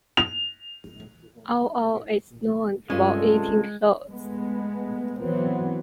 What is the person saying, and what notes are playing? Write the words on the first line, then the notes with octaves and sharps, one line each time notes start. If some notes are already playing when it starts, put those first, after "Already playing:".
Ao Ao is known for eating clothes.
F7
G2 C3 G#3 C#4 F4 G#4 A4
G#3 A3 B3
E3 F#3 B3 C4